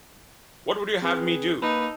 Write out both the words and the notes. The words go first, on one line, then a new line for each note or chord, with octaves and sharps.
What would you have me do?
C4 G#4 B4
A#3 D#4 B4 A5 E6